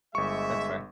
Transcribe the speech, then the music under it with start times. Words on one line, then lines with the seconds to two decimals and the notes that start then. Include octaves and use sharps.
That's fair.
0.15 G1 G#3 E5 C#6